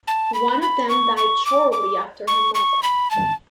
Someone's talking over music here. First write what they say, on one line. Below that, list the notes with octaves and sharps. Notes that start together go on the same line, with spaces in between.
One of them died shortly after her mother.
A5
B5
B5
C#6
C#6
D6
D6
C#6
C#6
B5
A5